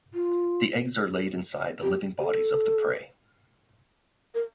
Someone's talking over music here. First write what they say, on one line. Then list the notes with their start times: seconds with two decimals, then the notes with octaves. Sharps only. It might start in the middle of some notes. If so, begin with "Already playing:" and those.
The eggs are laid inside the living bodies of the prey.
0.14 F4
1.83 G4
2.20 G4
2.25 A4
4.35 A#4